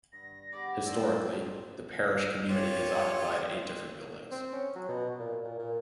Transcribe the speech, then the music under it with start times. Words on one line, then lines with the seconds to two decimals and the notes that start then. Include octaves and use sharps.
Historically, the parish community has occupied eight different buildings.
0.13 G2 A#6
0.52 B3 G4 G#4 D5
0.86 F3 C5 D5 E6
2.49 F4 G4 C#5
4.32 C4
4.53 C#4
4.76 F#3
4.89 B2
5.19 A#2
5.44 A#2
5.59 A#2